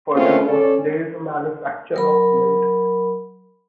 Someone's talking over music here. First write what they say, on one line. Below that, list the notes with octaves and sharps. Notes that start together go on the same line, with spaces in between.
Furthermore, there is a manufacture of cement.
A3 A#3 C4 C#4 F4
C#4 A4 C#5 D5
F#3 A#4 B5